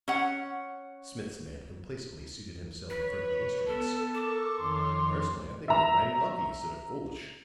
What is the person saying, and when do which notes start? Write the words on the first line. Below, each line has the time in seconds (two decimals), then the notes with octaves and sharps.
Smith's man complacently seated himself in front of the instruments. "Personally, I think we are mighty lucky, instead of foolish."
0.08 C#4 F#5
2.90 B4 C#5
3.66 B3 A4 A5
4.14 A4 A#4 C#6 D6
4.57 F2 D#3 C#5 C6
5.68 E5 A#5